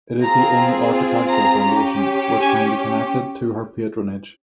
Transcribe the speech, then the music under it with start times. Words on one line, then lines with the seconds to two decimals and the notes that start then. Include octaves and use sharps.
It is the only architectural foundation which can be connected to her patronage.
0.22 C4 F4 G#4 A#5
1.31 A#5
1.67 C#4 G4
2.40 G#5